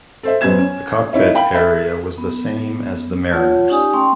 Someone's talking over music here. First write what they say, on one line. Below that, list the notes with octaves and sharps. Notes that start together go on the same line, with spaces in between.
The cockpit area was the same as the Mariner's.
A4 C5 E5
F#2 B3 C#4 C5 G#6 E7
C#4
D#4 E4 C#5 E5
F5 G5 B5
A4 A#4 E5 B5
B3
A3 F4 C#5 F#5
C#4 D#4 G4 D5 G#5 D#6
A3 C#4 G5 C6